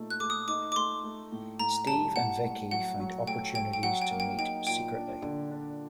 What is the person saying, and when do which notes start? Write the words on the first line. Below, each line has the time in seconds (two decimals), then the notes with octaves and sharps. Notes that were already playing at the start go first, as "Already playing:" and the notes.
Steve and Vickie find opportunities to meet secretly.
Already playing: A#2 A3 D#4
0.10 F#6
0.20 A3 D6
0.30 D#6
0.48 D#4 D6
0.72 D6
0.76 A3 C6
1.04 A3
1.32 A2
1.59 A2 A#5
1.87 G3 A5
2.16 A2 F#5
2.43 A2
2.71 F#3 F#5
2.99 F#3
3.27 A3 G5
3.55 A3 G5
3.73 G5
3.83 F#3 F#5
4.02 G5
4.11 A#3
4.20 G5
4.38 D#4 G5
4.67 A#2 G5
4.95 D4
5.22 D3
5.51 D4